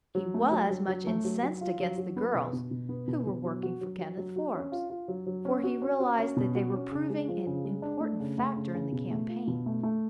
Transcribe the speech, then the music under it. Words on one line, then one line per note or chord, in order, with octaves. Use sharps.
He was much incensed against the girls who were working for Kenneth Forbes, for he realized that they were proving an important factor in the campaign.
F#3
A3
F#3
F#3
F#3
A3
F#3
F#3
F4
F#3
F#3
B3
B2
B2
B2
B3
B2
B2
F#3
F#4
F#3
F#3
F#3
F#4
C#4
F4
F4
F#3
F#3
C#4
F#4
C#4
F#4
C#4
B2
F#4
C#4
C#3
G#3
F3
C#3
G#3
D4
A3
C#3
A3
C#3
C#3
B2
A3
F4
B2
A3
A3